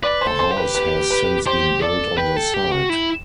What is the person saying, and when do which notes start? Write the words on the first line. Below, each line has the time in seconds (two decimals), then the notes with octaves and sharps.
A house has since been built on the site.
0.03 B4 D5
0.21 C5
0.27 A4
0.39 C5
0.51 G4
0.56 B4
0.75 B4
1.10 B4
1.46 G4 C5
1.82 A4 D5
2.17 B4 G5
2.36 A4
2.54 G4
2.72 F#4
2.90 E4